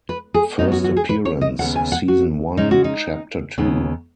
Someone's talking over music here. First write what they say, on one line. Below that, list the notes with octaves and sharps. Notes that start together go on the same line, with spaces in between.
First Appearance: Season One, Chapter Two.
B4
G#4
F#2 F#3 B3 D#4
F#4
F#4
G#4
B4
C#5
D#5
D#2 C#3 B3 F#5
G#5
F#5
F#4
C#3 G#3 C#4 D#4
F#4
D#4
D#2 C#3 B3